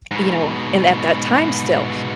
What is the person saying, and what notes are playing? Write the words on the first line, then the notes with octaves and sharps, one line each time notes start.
you know, and at that time still.
G#2 B2